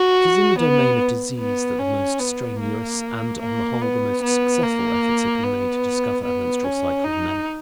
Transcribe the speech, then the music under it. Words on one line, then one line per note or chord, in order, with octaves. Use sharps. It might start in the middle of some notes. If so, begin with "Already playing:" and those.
It is in the domain of disease that the most strenuous and, on the whole, the most successful efforts have been made to discover a menstrual cycle in men.
Already playing: F#4
B3
B3
C#4
B3
A#3
A#3
B3
B3
A#3
B3
B3
C#4
D#4